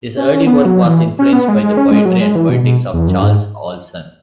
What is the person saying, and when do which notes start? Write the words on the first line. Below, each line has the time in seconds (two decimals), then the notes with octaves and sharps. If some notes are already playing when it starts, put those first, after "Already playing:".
His early work was influenced by the poetry and poetics of Charles Olson.
0.17 C#4
0.46 B3
0.65 F#3
0.85 E3
1.19 C#4
1.33 B3
1.48 G#3
1.63 G#3
1.77 C#4
1.91 G#3
2.05 F#3
2.21 G#3
2.35 E3
2.49 B2
2.64 B2
2.93 E2
3.08 F#2
3.22 G#2